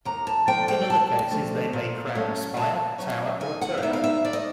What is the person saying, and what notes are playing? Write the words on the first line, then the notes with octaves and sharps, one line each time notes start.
In other cases they may crown a spire, tower, or turret.
D#2 A#5
A5
D3 F3 A3 G5
G5
D#2 A5
D3 F3 A3
A#2
F#3 A3 C#4
A#2 A5
F#3 A3 C#4
D#3 G#5
F#5
F5
G3 B3 D#4 E5
F5
E5
D#3 D5
D#5